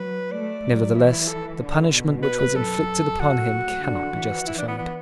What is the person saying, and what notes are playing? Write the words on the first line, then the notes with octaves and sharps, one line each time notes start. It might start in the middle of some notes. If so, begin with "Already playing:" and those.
Nevertheless the punishment which was inflicted upon him cannot be justified.
Already playing: F#3 B4
A3 D5
F#3
E3 E4
E4
A4
D3
B2
B4
B4
F#2 A4
F#4
A2
D3 F#4
E3
E4
D4
B3
B3